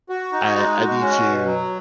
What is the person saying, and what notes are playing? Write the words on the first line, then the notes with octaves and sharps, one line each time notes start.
I I need to
F#4
D#4
G#3
F#4
C#4
B2
F#3